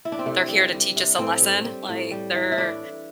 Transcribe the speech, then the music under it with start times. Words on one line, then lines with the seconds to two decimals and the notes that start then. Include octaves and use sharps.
they're here to teach us a lesson. Like, they're
0.05 E4
0.12 D4
0.19 C4
0.26 C3 A3
0.49 G3
0.72 G3
0.96 C3
1.19 A2 C4
1.42 G3
1.65 G3
1.89 A2
2.11 G3
2.35 E3
2.52 E4
2.58 A2 D4